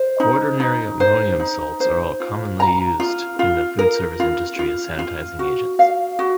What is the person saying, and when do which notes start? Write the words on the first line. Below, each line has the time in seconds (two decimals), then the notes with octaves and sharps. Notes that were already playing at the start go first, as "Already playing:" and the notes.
Quaternary ammonium salts are commonly used in the foodservice industry as sanitizing agents.
Already playing: C5
0.20 D#4
0.60 D#4
1.00 C5
1.40 D#4
1.80 C5
2.20 F4
2.60 A#5
3.00 F4
3.39 F4
3.79 A#4
4.20 F4
4.59 F4
4.99 F4
5.39 F#4
5.79 F5
6.19 F#4